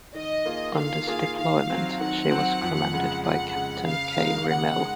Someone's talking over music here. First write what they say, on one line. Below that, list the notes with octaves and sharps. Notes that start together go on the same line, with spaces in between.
On this deployment, she was commanded by Captain K Rimell.
D#3 D#5
A#3 F4 G#4
D#3 F5
A#3 F4 G#4
D#3 F5
F#3 C4
D#3 F#5
F#3 C4
F2
C#3 G#3
F2 F#5
C#3 G#3
C#3 F5
G#3 D#4 A#4
C#3 F#5
G#3